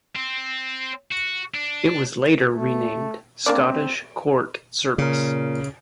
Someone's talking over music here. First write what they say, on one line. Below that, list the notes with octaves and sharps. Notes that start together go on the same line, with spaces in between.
It was later renamed Scottish Court Service.
C4
F#4
D4
A3
A#3 C4 D4 D5
A#2 C#3 A#4